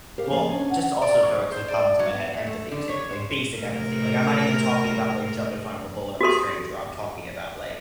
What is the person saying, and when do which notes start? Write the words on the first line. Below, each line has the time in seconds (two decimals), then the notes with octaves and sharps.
well, just also throw it 'cause it popped into my head, empathy too, like basic empathy. Like I'm not even talking about like jump in front of a bullet of a stranger. I'm talking about like
0.18 G4 A#4 F5
0.30 F3 A#3 F5
0.49 C#4 D4
0.70 F#5
1.02 D5
1.25 F#3
1.52 C5
1.68 D5
1.99 F#3
2.13 B3
2.33 A#2
2.47 A3
2.72 D3
2.89 C#5
3.12 C5
3.55 A2 C3 A#4
6.21 F#4 G4 A4 C6